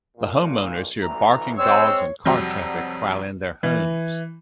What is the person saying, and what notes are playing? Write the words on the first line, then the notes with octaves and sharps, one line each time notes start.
The homeowners hear barking dogs and car traffic while in their homes.
B1 A#2
A1 D2 E3 A#5
G#3 C4 C#5 E6
F2 C3 F#3 G3
E3